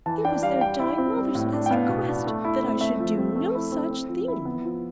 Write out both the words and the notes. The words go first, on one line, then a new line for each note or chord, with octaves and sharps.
"It was their dying mother's last request that I should do no such thing."
E3 A5
D4 G5
G3 F5
G3 G5
E4
C4
G3
A2
D4
G5
B3 F5
B2
D4
A3
E4
C4
A3 E5
F3
C4
A3
E4
C4
C4
F3
E4
B3
F3